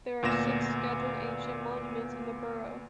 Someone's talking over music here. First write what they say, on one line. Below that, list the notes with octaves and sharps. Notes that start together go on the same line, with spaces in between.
There are six Scheduled Ancient Monuments in the borough.
D2 A#2 B3 A#6 E7